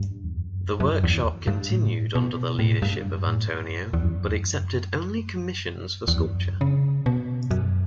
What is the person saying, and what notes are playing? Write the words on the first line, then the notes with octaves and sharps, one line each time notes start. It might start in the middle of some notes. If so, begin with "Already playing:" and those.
The workshop continued under the leadership of Antonio but accepted only commissions for sculpture.
Already playing: G2
E2
F#2
F#2
E2
G2
A2
B2
A2
G2
F#2
A2
F#2
E2
F#2
E2
G2
F#2
E2
F#2
C#3
B2
F#2